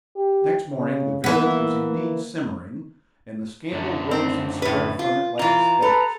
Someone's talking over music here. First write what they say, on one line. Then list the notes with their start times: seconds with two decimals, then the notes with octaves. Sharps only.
Next morning the village was indeed simmering, and the scandal rose and spread from it like a stench.
0.16 G4
0.76 C#3
1.24 E3 A#3 B3
3.72 F#2 D3
4.11 C4
4.62 A2 B4
4.99 F4
5.39 E3 F4 A#5
5.82 A4 B4